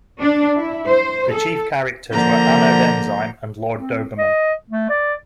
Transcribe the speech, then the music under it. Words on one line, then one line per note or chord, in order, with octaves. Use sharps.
The chief characters were Anode Enzyme and Lord Doberman.
D4
E4
C5
A4
D3 F3 A#3 A#5 G6
C4
D#5
A3
D5